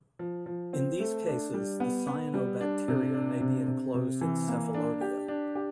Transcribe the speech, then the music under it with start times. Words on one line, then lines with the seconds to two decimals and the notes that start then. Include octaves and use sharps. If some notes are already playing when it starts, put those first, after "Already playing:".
In these cases, the cyanobacteria may be enclosed in cephalodia.
0.19 F3
0.46 F3
0.73 C4
1.00 A3
1.27 D4
1.54 G3
1.80 B3
2.07 B3
2.34 G3
2.61 D4
2.88 C3
3.14 D4
3.41 C3
3.68 C3
3.94 C3
4.21 E3
4.48 A#3
4.74 D4
5.01 G4
5.28 D4
5.55 G4